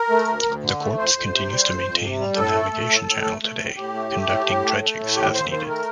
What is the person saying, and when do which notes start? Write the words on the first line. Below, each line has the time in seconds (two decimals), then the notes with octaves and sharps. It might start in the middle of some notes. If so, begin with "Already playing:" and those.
The Corps continues to maintain the navigation channel today, conducting dredgings as needed.
Already playing: A#4
0.10 A3
0.28 D2
0.45 D2
0.63 D3
0.80 A3
0.97 F2 C5
1.14 F2
1.32 C3
1.49 G3
1.66 F2
1.84 F2
2.02 C3
2.19 G3
2.36 A2 A4
2.54 A3
2.71 A3
2.89 A2
3.07 A2
3.24 A3
3.42 A3
3.59 A2
3.76 A2 G4
3.94 A3
4.11 A3
4.29 A2
4.46 A2
4.64 A3
4.82 A3
4.99 A2
5.16 D#2 G4
5.34 D#2 C5
5.51 D#3 C5
5.68 A3 A#4